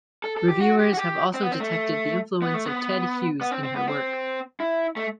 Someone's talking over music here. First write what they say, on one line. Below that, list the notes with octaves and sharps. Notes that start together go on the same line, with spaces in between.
Reviewers have also detected the influence of Ted Hughes in her work.
A4
A4
G4
F#4
G4
F#4
G4
C4
B3
C4
A3
B3
A3
B3
B3
C4
C4
B3
C4
E4
A3